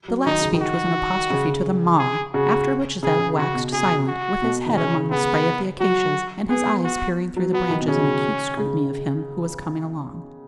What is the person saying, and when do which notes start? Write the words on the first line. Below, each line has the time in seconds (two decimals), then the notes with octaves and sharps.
The last speech was an apostrophe to the "maar"--after which Zeb waxed silent, with his head among the spray of the acacias, and his eyes peering through the branches in acute scrutiny of him who was coming along.
0.08 F#3
0.26 D#3 D#4
0.40 C#3
0.54 D#3
0.60 F#4
1.30 C#3
1.99 G#4
2.34 C#3 F#4
3.03 C#3 G#4
3.20 C#3
3.38 C#3 F#4
3.55 B2
3.73 C#3 G#4
4.07 F#4
4.42 B2
4.66 D#3
4.76 C#3 C#4
4.94 C#3
5.11 C#3 B3
5.80 F#3 F#4
6.49 B3 G#4
6.84 F#4
7.37 F#3
7.53 F#3 B3
7.70 D#3
7.81 B2
7.88 C#3 C#4
8.57 C#3